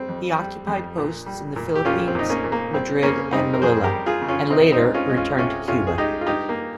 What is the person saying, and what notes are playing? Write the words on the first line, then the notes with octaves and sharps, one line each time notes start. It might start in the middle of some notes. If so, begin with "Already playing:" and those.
He occupied posts in the Philippines, Madrid, and Melilla, and later returned to Cuba.
Already playing: G3 C4
F2
G3
F2
A#2
G3
A#2
G4
A#2 C#4 F4
C4
A#2 D#4
A#3 C#4
A#2
A#3
G3 C4
C#3 A#3 C#4
G3 C4 D#4
A#4
F2 G#4 C5
G4 A#4
G3
F4 G#4
C#3
C#4 F4
C3 C4 D#4
C4 D#4
G#3
C#4 F4
G#3
C#4 F4
C3 C#4 F4
C3 C#4 F4
G#4
G#3 D#4 G4
F4
G2 D#4 G4
A#3